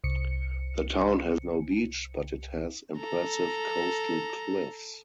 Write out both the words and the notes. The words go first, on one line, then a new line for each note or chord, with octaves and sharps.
The town has no beach, but it has impressive coastal cliffs.
C2 C#7
A4 A#5